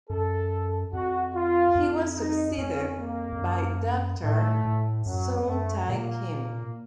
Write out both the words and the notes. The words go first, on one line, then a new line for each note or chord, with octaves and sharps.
He was succeeded by Doctor Seung Tae Kim.
F#2 A4
F2 F#4
F4
F2
D#4
F2 C#4
A#3
F2
F#2
A2 A3
A2
F#2 F#3
F2
F#2 A3
A#2 A#3